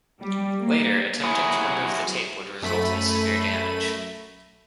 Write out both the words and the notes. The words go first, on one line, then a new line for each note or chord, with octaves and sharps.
Later, attempting to remove the tape would result in severe damage.
G3
A#3
F#3 E4 G#4
F#2 A3 E5 B5 D#7